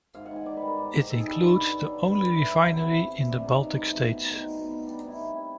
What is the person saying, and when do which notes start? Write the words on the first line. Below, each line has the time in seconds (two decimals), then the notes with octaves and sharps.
It includes the only refinery in the Baltic States.
0.15 G#2 F5
0.26 F#5
0.31 G#2 G#5
0.46 D#3 D5
0.57 B4
0.62 G3 A#4
0.78 G#2
0.94 G#2
1.10 D#3 A4
1.20 G#4
1.26 G3 A4
1.41 G2 B4
1.57 G2
1.73 D3
1.88 F#3
2.04 G2 B4
2.20 G2
2.35 D3 E4
2.51 F#3
2.67 C3 E4
2.82 C3
2.99 E3
3.14 A3
3.29 C3 D4
3.45 C3 D#4
3.60 E3
3.77 A3
3.93 B2
4.08 B2
4.24 G3 D#4
4.40 C4
4.55 B2
4.71 B2
4.86 G3 D4
4.97 D#4
5.02 C4
5.08 E4
5.18 C3
5.34 C3 E4